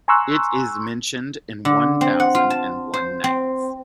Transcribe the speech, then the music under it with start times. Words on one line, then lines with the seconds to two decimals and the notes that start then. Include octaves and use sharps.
It is mentioned in "One Thousand and One Nights".
0.08 G#5 A#5 C6 C#6 E6 F#6
1.65 D3
2.01 C4
2.20 F#5
2.35 F4
2.50 A5
2.94 C5
3.24 C4